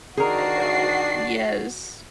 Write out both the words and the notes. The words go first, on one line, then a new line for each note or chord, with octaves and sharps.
I know. Yes.
D#3 D4 F#4 G#4 A#4 C7